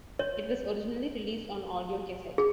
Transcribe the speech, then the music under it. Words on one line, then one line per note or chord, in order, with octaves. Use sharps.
It was originally released on audio cassette.
C#5
G#4